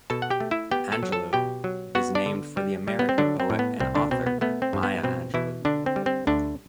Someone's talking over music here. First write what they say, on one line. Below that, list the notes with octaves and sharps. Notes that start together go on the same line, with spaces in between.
Angelou is named for the American poet and author Maya Angelou.
B2 A4 A5
F#5
G4 G5
A3
E4 E5
B3 G4 G5
A4 A5
F#3
A4 A5
B2 G4 G5
F#3
B3 F#4 F#5
D4 D5
D3
G3
G3
B3
C4
D3 F#3 D4
C4
A2
B3
C2 C4
D3 D4
B2 C4
B3
A3 B3
C4
G2
B3
B2 C4
B2 E3 E4
D3 D4
C4
G3
C4
D2 D3 D4